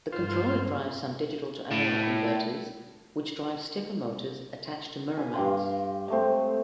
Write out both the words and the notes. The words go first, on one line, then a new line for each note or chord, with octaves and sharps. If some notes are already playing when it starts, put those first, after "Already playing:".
The controller drives some digital-to-analog converters which drive stepper motors attached to mirror mounts.
G2 F4 C5
A2
B4 G#5
G2 F5 G5 C6
G#3 A3 C4